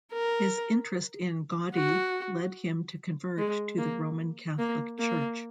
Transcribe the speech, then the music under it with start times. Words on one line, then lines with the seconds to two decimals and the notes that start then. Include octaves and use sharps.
His interest in Gaudi led him to convert to the Roman Catholic Church.
0.12 A#4
1.74 F#4
3.37 G#3
3.78 A#3
4.59 A#3
4.99 A#3